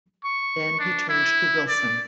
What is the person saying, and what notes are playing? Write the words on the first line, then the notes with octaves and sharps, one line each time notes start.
Then he turned to Wilson.
C#6
D4
E4
D5